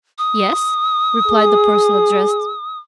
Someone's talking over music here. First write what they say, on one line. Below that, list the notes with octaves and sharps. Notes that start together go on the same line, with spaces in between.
"Yes," replied the person addressed.
D#6
G#4